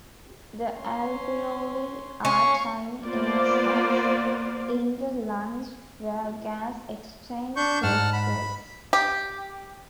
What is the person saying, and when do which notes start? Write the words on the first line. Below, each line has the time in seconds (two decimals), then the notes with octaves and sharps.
The alveoli are tiny air sacs in the lungs where gas exchange takes place.
0.74 C#4 C6
2.25 C#4 F5 G#5 C#6
3.04 A#3 B3 F4 C5 D5
7.56 D4 C#6 G6
7.83 G#2 F#5 A5 F6
8.13 B5
8.93 G4